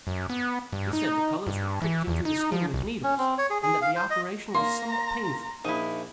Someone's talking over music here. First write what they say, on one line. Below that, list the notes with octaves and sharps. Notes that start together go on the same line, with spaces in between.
He said the colors were pricked into the skin with needles, and that the operation was somewhat painful.
F#2
B3
G2
D#4
G2
E3
E2
D#4
F3
C2
C#4
C4
C#5
G#4
G#4
F5
C5
D#5
A#3 A#5 C6
A#1 D#4 E4